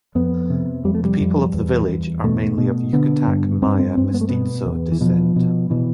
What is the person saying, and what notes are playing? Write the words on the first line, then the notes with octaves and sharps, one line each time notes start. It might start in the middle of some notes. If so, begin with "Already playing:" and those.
The people of the village are mainly of Yucatec Maya Mestizo Descent.
F2 B3
C3
F2 G3
A3
G3
F2
E2
E2
B2 A3
B2
D3 B3
G2
G2 C4
C4
G2 C4
B3
A3
B2 B3
E2
E3
B2 F3
B2
B2 E3